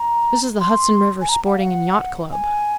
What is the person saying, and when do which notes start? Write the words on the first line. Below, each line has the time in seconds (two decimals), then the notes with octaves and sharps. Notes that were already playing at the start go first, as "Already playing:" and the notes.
"This is the Hudson River Sporting and Yacht Club."
Already playing: A#5
0.60 C6
1.21 G#5
1.29 A#5
1.46 F#5
1.58 F5
1.64 F#5
2.32 G#5